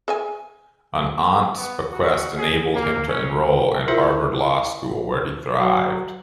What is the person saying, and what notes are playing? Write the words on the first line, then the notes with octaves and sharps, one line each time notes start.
An aunt's bequest enabled him to enroll in Harvard Law School, where he thrived.
G#4 E5 G#5
B3
F#4
G#4
A#3
C#4
E4 F4 G#4 A#4 C5 E5
F#3